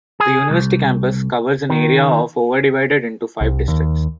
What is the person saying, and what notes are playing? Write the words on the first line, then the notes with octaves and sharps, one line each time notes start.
The University campus covers an area of over divided into five districts.
G#4
C2
D#3
C2
D#2